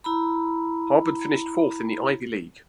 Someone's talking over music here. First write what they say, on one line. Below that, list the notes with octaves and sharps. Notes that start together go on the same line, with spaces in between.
Harvard finished fourth in the Ivy League.
E4 A#5 B5